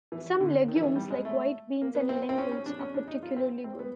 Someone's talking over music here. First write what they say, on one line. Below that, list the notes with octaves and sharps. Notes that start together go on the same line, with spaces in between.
Some legumes, like white beans and lentils are particularly good.
E3
D#3
D3
D#3
E3
D#3
G3
G#3
A3
A#3
B3
C4
C4
C#4
C#4
D4
C#4
D4
D#4
F4
C4
C4
B3